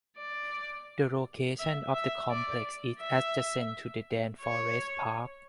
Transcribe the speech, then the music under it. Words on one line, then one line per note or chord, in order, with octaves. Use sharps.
The location of the complex is adjacent to the Daan Forest Park.
D5
E5
E5
D5
E5
C#5